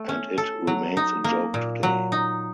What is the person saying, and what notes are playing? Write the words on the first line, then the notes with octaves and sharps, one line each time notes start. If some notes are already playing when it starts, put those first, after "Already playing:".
And it remains a joke today.
Already playing: A3
C#4
A4
F#3
D#4
A#3
A#2
F#3
D#4